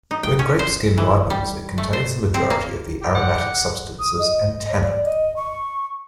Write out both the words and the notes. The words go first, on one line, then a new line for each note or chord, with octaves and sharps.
When grape skin ripens, it contains the majority of the aromatic substances and tannin.
D#4
G5
C#4
C5
E3
G3
A3
C5
C4
A#3
G4 G5
F#5
D#6
D#5
C#5
D5
D#5
C#6